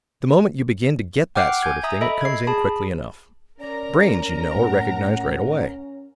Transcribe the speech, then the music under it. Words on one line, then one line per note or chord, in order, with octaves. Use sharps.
The moment you begin to get that sort of thing it comes in quickly enough. Brains, you know, are recognized right away.
F#5 G5 D6 F6 F#6 C7
G#5 G6 G#6
E5 A#5 D#6
A4 D#5 E5 B5
G#6 C7
G#4 A5 B5
C#4 A#4 D5 A#5
A2 F#5